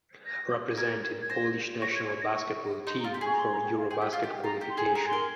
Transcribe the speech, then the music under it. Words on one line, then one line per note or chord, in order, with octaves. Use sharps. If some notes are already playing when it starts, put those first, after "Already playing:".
Represented Polish national basketball team for Eurobasket qualification.
A#6
A#4 G#6
G#6
G#6
C5 A#6
C#5 A#6
G#6
G#6
A#6
C#6
D#4 C6
A#5
F4
G4 C6
G#4 C#6
A#5
C6
A#5
G5
F5
G#4 G5
G4 G5
F4 F5
G4
G#5
F4 A#5
G4
C6
G#4
G#4 A#5
A#4 C6